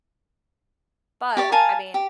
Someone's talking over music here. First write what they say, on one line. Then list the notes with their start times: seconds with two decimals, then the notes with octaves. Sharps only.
But, I mean, I
1.37 G4 C#5 D5
1.52 A#4 F5 G#5 A5
1.94 G4